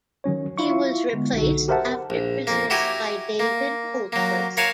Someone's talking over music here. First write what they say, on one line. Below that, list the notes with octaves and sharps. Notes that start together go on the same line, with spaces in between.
He was replaced after Christmas by David Holdsworth.
D#3 F#3 C#4 C#5
E4 F4 F5 C6 C#6
D3 G#3 B3
B1 D3 D#4 F#4 A4
G4 A#4 C5 E5 F#5 A5
A#1
F2 A#3
E4 F#4 G4 G#5 A#5
A#3
F#3 A#3
A#4 C#5 F5 F#5 G#5 A5